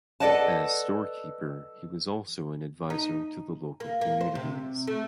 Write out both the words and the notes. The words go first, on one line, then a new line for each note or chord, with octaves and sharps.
As storekeeper he was also an advisor to the local communities.
A4 B4 D5 D#5 F#5 A5
D#4
A#3
A#3
C5
C3
A3